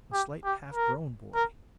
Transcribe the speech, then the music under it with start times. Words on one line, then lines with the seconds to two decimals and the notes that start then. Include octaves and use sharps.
A slight, half grown boy.
0.13 G4
0.44 G4
0.74 A#4
1.35 A#4